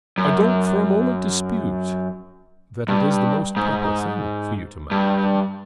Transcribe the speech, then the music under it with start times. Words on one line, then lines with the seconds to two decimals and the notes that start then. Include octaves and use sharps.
I don't for a moment dispute that it is the most proper thing for you to marry him.
0.18 F#2
2.88 G2
3.56 G#2
4.91 G2